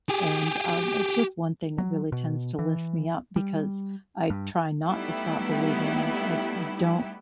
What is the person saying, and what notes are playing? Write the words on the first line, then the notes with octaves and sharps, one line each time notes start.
and, um, it's just one thing that really tends to lift me up, because I try not to stop believing, I d I d don't
G4 G#4
F#3
B2
E3
G3
G2
G3 A3 B3 D#4 E4 G4